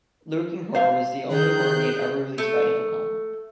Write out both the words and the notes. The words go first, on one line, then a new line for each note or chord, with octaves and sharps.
"Lurking Horror" was the only horror game ever released by Infocom.
C5 F5
D#3 G#4 F#6 G6
A3